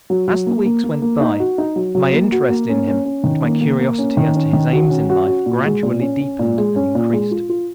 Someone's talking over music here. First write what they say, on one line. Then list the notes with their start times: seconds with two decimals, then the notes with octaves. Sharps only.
As the weeks went by, my interest in him and my curiosity as to his aims in life, gradually deepened and increased.
0.10 F#3
0.28 F#3
0.46 A#3
0.65 A#3
0.84 A#3
1.02 A#3
1.21 D#4
1.40 F#4
1.58 D#4
1.76 F#3
1.95 F#3
2.13 A#3
2.32 F#4
2.50 A#3
2.69 C#4
2.87 C#4
3.05 C#4
3.24 D#3
3.43 A#3
3.61 A#3
3.80 A#3
3.98 C#4
4.17 D#3
4.36 C#4
4.53 D#3
4.73 F#4
4.90 C#4
5.10 F#4
5.27 F#4
5.46 A#2
5.65 G#3
5.83 A#2
6.01 C#4
6.21 C#4
6.39 A#2
6.58 G#3
6.76 C#4
6.95 A#2
7.13 G#3
7.31 F4
7.49 F4